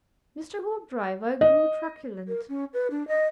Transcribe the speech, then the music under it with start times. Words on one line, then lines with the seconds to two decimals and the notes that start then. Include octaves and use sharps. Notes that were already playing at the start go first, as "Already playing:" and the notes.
Mr. Hoopdriver grew truculent.
1.41 D#5
2.28 A#4
2.49 C#4
2.74 B4
2.91 D4
3.08 D#5